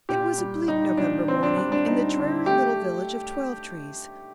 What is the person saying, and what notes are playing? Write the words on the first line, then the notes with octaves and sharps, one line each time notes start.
It was a bleak November morning in the dreary little village of Twelve-trees.
A#2 G4
G3
G3 D#4
A#2 D4
D3 C4
D4
G3 D4
D4
G3 D#4
D3
A3 G4